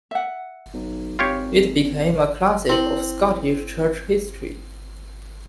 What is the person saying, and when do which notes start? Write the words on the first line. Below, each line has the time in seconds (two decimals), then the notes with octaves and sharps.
It became a classic of Scottish Church History.
0.11 E5 F#5
0.73 B1
1.19 G#1 F4 G4 C#5
2.69 C4 E4 F#7